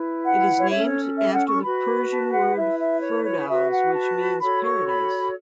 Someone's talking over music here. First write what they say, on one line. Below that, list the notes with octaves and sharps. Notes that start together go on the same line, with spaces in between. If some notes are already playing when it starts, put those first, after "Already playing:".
It is named after the Persian word "Firdows", which means "paradise".
Already playing: E4 B4
F#5
C#5
C#4 A4 C#5 E5
C#5
E5
F#5
C#6
F#4 B4 B5
A5
F#5
E4 B4 E5
E5
C#5
C#5
F#4 B4 E5
F#5
A5
F#4 A4 C#5 B5
C#6
B5